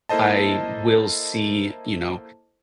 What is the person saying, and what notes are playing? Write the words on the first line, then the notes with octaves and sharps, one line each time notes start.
I will see, you know,
A#3 E4 A4 C5 D#5 A5